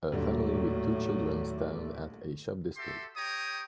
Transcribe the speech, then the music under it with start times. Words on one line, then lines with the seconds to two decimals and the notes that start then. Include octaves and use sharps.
A family with two children stand at a shop display.
0.12 A#1 D#2 A2 D3 F#3 G3 D5 E5
2.77 F#4 G4 A4 E5 C6
3.17 G4 C#5 G5 A#5 D#6